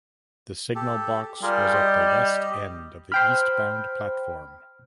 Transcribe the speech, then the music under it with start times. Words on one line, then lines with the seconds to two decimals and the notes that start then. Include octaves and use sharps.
The signal box was at the west end of the eastbound platform.
0.75 G4 A4
1.42 G3 F4 G#4 A#4
1.74 G4 D#5
3.12 C5 G5 B5 F6